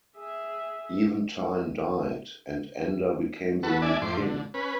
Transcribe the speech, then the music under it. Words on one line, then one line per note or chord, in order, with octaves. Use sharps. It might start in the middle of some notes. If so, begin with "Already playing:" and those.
Eventine died, and Ander became the new King.
G#4 E5
F#4 A4 B4
D4 D5 E5 G#5
F2 A2 C6 D6
D3
C#4 B4